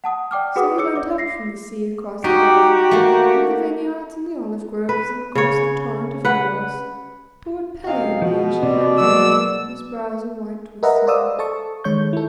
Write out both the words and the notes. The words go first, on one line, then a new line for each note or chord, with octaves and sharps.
So he went up from the sea across the valley, through the vineyards and the olive groves, and across the torrent of Anauros, toward Pelion the ancient mountain, whose brows are white with snow.
F#5 A5 D#6
D5 G5 D6 F6
F#4 G#4 B4 F#5 D6 D#6
C#5 D6 E6 C#7
D5 E5 D6
A#6 C7
D#4 F#4 G4
A3 A#3
B4
C#3 C#5
B4 F#5
F#2 C3 D#5 F5
B2 F3
C3 D5
F#3 G#3 A#3 E6
A#4 B4 D#5 E5 F#5 A#5
C5 D5 F5 D#6 E6
A4 A5 C#6
D#3 G#3 C#5 C#6 G6
E4 A4